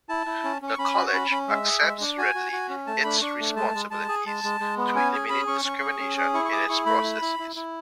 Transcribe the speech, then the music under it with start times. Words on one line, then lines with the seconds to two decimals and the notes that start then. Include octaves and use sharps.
The College accepts readily its responsibility to eliminate discrimination in its processes.
0.09 E4 A5
0.27 E4
0.44 C#4
0.62 C#4
0.68 C#6
0.78 C#4 B5
0.96 F#4
1.08 C#6
1.13 C#4 B5
1.31 C#4
1.48 G#3 E5
1.66 G#4
1.83 G#3
2.01 D4
2.18 F#4 G#5
2.35 F#4
2.52 F#4
2.69 C#4
2.87 A3 A5
3.04 D4 B5
3.21 D4 C#6
3.40 A3
3.56 G#3 A5
3.74 G#3
3.91 G#3 A5
4.09 G#4
4.26 G#3 A5
4.44 G#3
4.60 G#3
4.77 B3
4.95 C#4 G#5
5.13 G#4 G#5
5.30 C#4 B5
5.47 C#4 C#6
5.65 C#4
5.82 G#4
6.00 C#4
6.17 G#4
6.34 E4 C#6
6.45 C#6
6.52 G#4 D6
6.69 E4 C#6
6.86 A3 B5
7.04 E4
7.22 E4
7.39 E4
7.56 E4